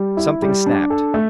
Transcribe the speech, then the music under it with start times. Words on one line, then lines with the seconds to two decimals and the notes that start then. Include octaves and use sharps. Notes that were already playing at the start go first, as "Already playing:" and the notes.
Something snapped.
Already playing: G3
0.17 E4
0.42 G3
0.66 D4
0.90 A4
1.14 A3